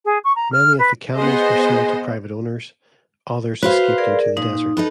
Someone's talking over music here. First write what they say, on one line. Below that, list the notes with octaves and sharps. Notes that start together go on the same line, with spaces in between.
Many of the camels were sold to private owners, others escaped into the desert.
G#4
C#6
A#5
F6
B4
B3 G#4 C5 D#5
F#4 B4 C5 F5
G#4 A#4 D5
A#2 D#4
D#4 A4 B4